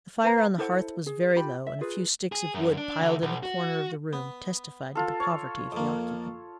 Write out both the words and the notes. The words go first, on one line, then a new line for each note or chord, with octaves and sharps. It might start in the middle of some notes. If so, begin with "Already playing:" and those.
The fire on the hearth was very low, and a few sticks of wood piled in a corner of the room testified to the poverty of the occupants.
B4 C5 F5 A#5
E4 A4 C5 F#5
G#4
F4 G4 B5
E5
F4 G#4 B4
G#4
F#2
D4
D2
B1
F#4
B3
F4 A4
C#5
F2 A#3